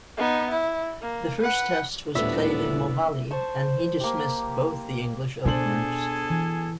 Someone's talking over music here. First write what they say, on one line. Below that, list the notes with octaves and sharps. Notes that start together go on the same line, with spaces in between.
The first Test was played in Mohali, and he dismissed both the English openers.
B3 D#4
E4
A#3
B4 F#5
D#1 A2 A3 B3 D4 E5
C5 A5 C#6
A#3 G4
B2 D4 G#4 A4 C5 G#5 F#7
E3